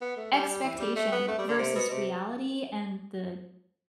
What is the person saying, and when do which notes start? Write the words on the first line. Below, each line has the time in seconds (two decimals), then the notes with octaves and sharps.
expectation versus reality, and the d
0.02 B3
0.17 A3
0.32 G3
0.49 G3
0.64 E3
0.79 G3
0.96 A3
1.12 B3
1.28 A3
1.39 G3
1.49 D3
1.59 C3
1.75 B2
1.90 C3